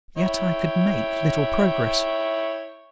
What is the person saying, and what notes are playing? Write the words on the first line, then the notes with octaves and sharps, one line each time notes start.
Yet I could make little progress.
E4 C#5 G5